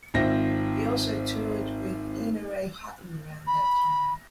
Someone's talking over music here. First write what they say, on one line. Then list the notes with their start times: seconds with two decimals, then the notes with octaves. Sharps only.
He also toured with Ina Ray Hutton around that time.
0.14 G#1 C4 F4 C5 E5 A#6
3.47 B5